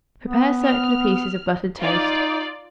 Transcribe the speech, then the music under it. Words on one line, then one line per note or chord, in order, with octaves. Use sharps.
Prepare circular pieces of buttered toast.
B3
F6
D#4 F4 D5